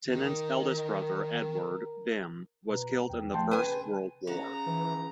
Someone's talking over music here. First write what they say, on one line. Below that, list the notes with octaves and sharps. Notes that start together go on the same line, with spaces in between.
Tennant's eldest brother Edward - "Bim" - was killed in the First World War.
D#3 A#4
B2 B4 A#5
E2 G5
F3 A3 G5 A5 C6
C#3 B4 G#5
C#3 F#5 A#5
E3